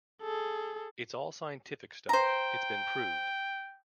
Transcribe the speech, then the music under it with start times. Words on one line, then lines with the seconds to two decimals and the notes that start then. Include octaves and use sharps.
It's all scientific stuff; it's been proved.
0.22 G#4 A4
2.09 C5 G5 A#5